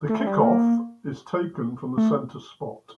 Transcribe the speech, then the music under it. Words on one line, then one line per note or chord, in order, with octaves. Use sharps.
The kick-off is taken from the centre spot.
A3
A3
G3
A3
A#3
A3